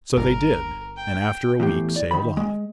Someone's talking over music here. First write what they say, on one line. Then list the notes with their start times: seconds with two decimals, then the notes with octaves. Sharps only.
So they did, and after a week sailed off.
0.16 G1 A#4
0.97 G5
1.60 E2 A2 G4
1.96 D5
2.11 D#3 B5
2.37 G#3